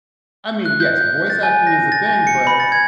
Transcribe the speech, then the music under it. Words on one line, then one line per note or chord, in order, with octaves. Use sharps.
I mean, yes, voice acting is a thing, but
F#6
G6
A6
G#5
A#6
A6
G#5
C#7
B5
A6
G#6